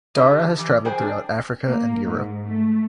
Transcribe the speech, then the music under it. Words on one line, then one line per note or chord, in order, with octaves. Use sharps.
Dara has traveled throughout Africa and Europe.
D3 G4 D#5
E3
G#4 C5 G5 G#5
D4
A#3
G#2
A3